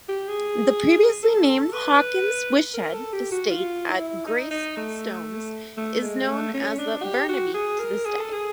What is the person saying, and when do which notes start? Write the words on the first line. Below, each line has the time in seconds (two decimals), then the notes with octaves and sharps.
The previously-named Hawkins-Whitshed estate at Greystones is known as The Burnaby to this day.
0.09 G4
0.28 G#4
1.23 A4
1.49 A4
1.73 B4
2.74 A#4
2.94 A4
3.13 G4
3.31 F#4
3.50 F4
3.88 E4
4.26 D#4
4.51 D#4
4.77 A3
5.77 A3
6.03 G#3
6.28 A3
6.54 C#4
6.79 D4
7.03 G4
7.29 F#4
7.54 G#4
7.79 A#4
8.05 G#4
8.19 A4
8.32 G#4